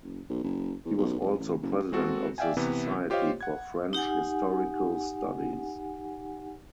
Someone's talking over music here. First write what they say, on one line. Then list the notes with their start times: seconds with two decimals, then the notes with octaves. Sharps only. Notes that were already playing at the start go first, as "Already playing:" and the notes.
He was also president of the Society for French Historical Studies.
0.04 F#1
0.29 B1
0.44 F#1
0.85 E2
0.97 B1
1.20 F1
1.39 A1
1.62 F#1
1.92 G#3 C4 F#4 A4
2.38 D5 E5 F5 G5 G#5
2.57 C3 E3 B3
3.10 F4 G4 C5 C#5 D#5 F5
3.41 F#5 G#6
3.93 D#4 G4 F#5 G#5